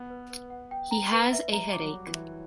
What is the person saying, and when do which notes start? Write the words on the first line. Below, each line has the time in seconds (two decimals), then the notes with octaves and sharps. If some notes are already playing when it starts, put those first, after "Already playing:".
He has a headache.
Already playing: B3
0.10 B4
0.30 B4
0.50 F#5
0.71 G5
0.91 A#5
1.13 B4
1.33 E5
1.53 G3 A#5
1.73 D6
1.80 F#3
1.94 C#5
2.07 E3
2.14 E5